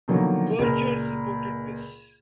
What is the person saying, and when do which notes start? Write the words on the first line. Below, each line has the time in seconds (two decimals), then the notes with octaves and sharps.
Berger supported this.
0.08 B2 D3 D#3 F3 F#3 A#3
0.59 C#2 A#2 A#4